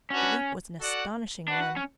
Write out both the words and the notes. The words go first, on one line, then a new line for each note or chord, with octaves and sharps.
The leap was an astonishing one.
C#4 D4 F#4 B4
F#4 A4 D5 F#5
D4 F#4 B4 F#5
C#4